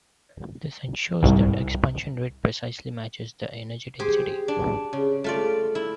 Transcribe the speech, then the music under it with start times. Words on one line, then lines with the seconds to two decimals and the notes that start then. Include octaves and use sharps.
This ensures that expansion rate precisely matches the energy density.
1.23 C2 G#2
3.99 G4 G#4 C5
4.48 D4
4.93 C#3
5.24 A3 F4 D5
5.75 E4